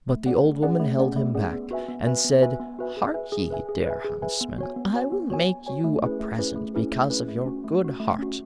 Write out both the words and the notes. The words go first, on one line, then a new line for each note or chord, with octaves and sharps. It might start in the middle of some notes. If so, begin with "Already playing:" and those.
But the Old Woman held him back, and said: 'Hark ye, dear Huntsman, I will make you a present because of your good heart.
A3
C#4 G#4 D5 F#5
A3
C#4 G#4 D5 F#5
A3
C#4 G#4 D5 F#5
A3
C#4 G#4 D5 F#5
B3
F#4 B4 E5 G#5
B3
F#4 B4 E5 G#5
B3
F#4 B4 E5 G#5
B3
F#4 B4 E5 G#5
G#4
B4 E5 G#5
G#4
B4 E5 G#5
G#4
B4 E5 G#5
G#4
B4 E5 G#5
B3
F#4 C#5 G#5
B3
F#4 C#5 G#5
B3
F#4 C#5 G#5
B3
F#4 C#5 G#5
A3
C#4 E4 G#4 B4
A3
C#4 E4 G#4 B4
A3
C#4 E4 G#4 B4
A3
C#4 E4 G#4 B4
A3
C#4 F#4
A3
C#4 F#4
A3
C#4 F#4